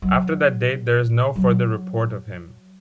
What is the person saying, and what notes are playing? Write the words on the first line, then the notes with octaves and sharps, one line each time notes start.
After that date, there is no further report of him.
F#3
F#3